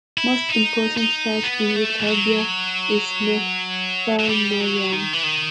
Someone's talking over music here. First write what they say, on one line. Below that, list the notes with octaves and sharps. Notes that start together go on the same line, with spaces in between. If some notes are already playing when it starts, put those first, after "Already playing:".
Most important church in the "tabia" is Melfa Maryam.
E4
D#4
D#4
B3
A3
E3
F#3
F#3
G3
F#3
D#3
E3
D#3